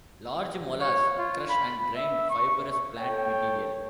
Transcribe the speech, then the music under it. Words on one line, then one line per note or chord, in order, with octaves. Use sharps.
Large molars crush and grind fibrous plant material.
C#5
F4
B5
E5
C#6
A4 C#5 G5